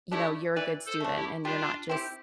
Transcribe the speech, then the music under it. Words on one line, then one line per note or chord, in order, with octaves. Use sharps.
you know, you're a good student, and you're not just"
A3 D4 E4 G4
E3 B4 D5
A4 C5
A3 D4
E4 G4
G3 D4 F4
C4 E4 G4